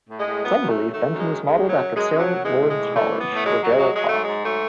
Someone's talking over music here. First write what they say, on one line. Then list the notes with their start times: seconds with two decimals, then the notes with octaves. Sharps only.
Some believe Benton was modeled after Sarah Lawrence College, where Jarrell taught.
0.10 A2
0.19 G#3
0.27 A2
0.44 F#2 B3
0.61 F#2
0.68 A3
0.77 F#3
0.94 D#3 A3
1.11 F#2
1.19 G#3
1.27 D#3
1.44 C#3 G#3
1.60 F#2
1.69 F#3
1.77 F#2
1.95 F#2 G#3
2.11 F#2
2.19 F#3
2.28 F#2
2.44 E3 G#3
2.62 A2
2.70 G#3
2.78 E3
2.95 A2 A3
3.11 E3
3.20 B3
3.29 A2
3.36 A3
3.45 F#3 G#3
3.62 F#3
3.70 G#3
3.78 F#3
3.95 F#3 G#3
4.08 G#2 A3
4.23 G#3
4.29 G#2
4.45 F#3 A3